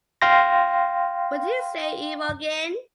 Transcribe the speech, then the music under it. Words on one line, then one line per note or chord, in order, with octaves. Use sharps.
What do you say, Imogen?
F5 G5 C6 A#6